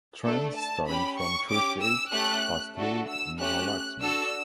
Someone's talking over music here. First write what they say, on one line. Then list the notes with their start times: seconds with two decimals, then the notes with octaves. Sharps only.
Trains starting from Churchgate pass through Mahalaxmi.
0.23 A3 D4 A4
0.55 A5
0.87 C#4 G4 B5
1.18 C#6
1.50 C#4 G4 D6
1.81 E6
2.12 A3 C#4 G4 F#6
2.75 A3 D4 F#4 A4
3.08 E6
3.39 A3 C#4 G4 F#6
4.01 D4 F#4 A4 E6